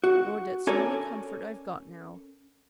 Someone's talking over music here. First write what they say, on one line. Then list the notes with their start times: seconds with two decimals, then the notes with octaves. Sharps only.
Lord, that's the only comfort I've got now!
0.04 F#4
0.67 C#4 A4 A#4 C#5 D5 G#5